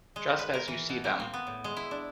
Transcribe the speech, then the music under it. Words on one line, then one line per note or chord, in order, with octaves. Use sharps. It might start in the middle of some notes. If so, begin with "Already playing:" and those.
Just as you see them.
G#3
B4
A#4
E3
B2
A#3
C4
B3
A2
G#3
E4
D4